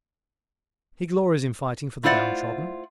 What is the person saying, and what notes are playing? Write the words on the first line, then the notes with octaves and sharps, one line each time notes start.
He glories in fighting for the downtrodden.
A3 E4 F4 C5 D5 F#5